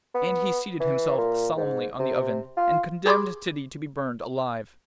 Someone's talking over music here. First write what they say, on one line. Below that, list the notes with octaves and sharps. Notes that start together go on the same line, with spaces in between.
And he seated himself solemnly on the oven, and condemned Titty to be burned alive.
B3
E3
A#2
G#2
C3
F4
G4 G#4 B5 C6 D6